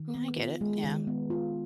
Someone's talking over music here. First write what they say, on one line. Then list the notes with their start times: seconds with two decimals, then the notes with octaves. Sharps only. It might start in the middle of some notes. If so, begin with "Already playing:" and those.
Yeah, I get it. Yeah.
Already playing: D#3
0.15 B3
0.38 F4
0.61 G#3
0.84 D#3
1.07 B3
1.30 F4